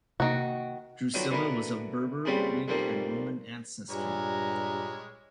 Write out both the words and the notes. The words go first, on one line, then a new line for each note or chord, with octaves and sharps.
Drusilla was of Berber, Greek and Roman ancestry.
C3 D#3 A#3 F#4
D3 D#3 F3 F#3 B3
B2 D3 E3 B3 A#4 B4
F2 A#2 C#3 G3 B3 C4
B1 F2 A#2 F3 G3 A#3
G2 A#2 G3 G#3 C#5 A#5